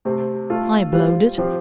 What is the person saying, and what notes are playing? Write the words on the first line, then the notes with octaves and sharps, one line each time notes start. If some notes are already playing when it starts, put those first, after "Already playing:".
"I blowed it."
C3 A3 C4
A3 F4 A4
G3 F4 C5
F3 C4 G4 C5